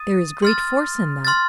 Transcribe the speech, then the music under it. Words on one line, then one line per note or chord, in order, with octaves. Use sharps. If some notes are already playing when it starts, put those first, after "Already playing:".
There is great force in that.
Already playing: D#6 A6 D#7
C6 F6 A6
C6 F6 A6